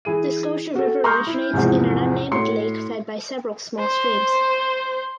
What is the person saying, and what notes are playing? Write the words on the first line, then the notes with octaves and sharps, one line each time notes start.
The Scotia River originates in an unnamed lake fed by several small streams.
E3 E4 G#4 D#7
F#4 A4
A#5 C6 C#6 D#6 F6 G6
E4
E2 G#2 C3 E3 F3
A2 F#4 C#5 C6 C#7
C5